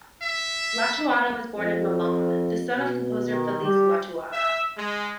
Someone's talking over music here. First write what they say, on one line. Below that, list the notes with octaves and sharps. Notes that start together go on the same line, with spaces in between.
Lattuada was born in Milan, the son of composer Felice Lattuada.
E5
F2
B2
D#3
G3 G4
E5
G#3